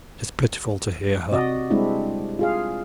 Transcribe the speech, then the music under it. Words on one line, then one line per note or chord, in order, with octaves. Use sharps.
It is pitiful to hear her.
C3 F#4 D5 D#5
G3 G#3 C4 D4 E4
F4 G#4 F5